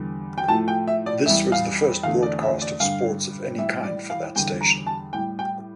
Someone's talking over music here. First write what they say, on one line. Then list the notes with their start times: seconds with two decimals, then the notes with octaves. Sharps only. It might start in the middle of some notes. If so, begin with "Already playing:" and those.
This was the first broadcast of sports of any kind for that station.
Already playing: E2 D3 G3
0.38 G5
0.48 A2 F3 A3 A5
0.68 G5
0.87 E5
1.06 D5
1.26 E2 E3 G3 E5
1.52 F5
2.03 E2 D3 A3 F5
2.23 D5
2.42 E5
2.62 D5
2.80 G2 D3 G3 F5
3.58 A2 E3 G3 E5
3.84 D5
4.10 F5
4.36 E2 D3 G3 G5
4.61 A#5
4.86 A5
5.13 A2 G3 G5
5.39 G5